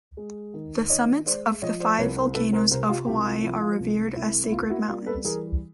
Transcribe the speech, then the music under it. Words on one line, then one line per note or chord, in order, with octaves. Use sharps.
The summits of the five volcanoes of Hawaii are revered as sacred mountains.
G#3
D#3
D#3 C#5 D#5
G#3 C5 D5
F3 C#5 D#5
C5 D5
C2 B4 C#5
A#4 C5
C2 A4 B4
A#4 C5
C3 A#4 C5
F4 G4
C2 F4 G4
F4
F3 E4
F4
C2
C2 E4
E4
A#3 F4
E4 F#4
G3 F4 G4
A4 B4
E3 G#4 A#4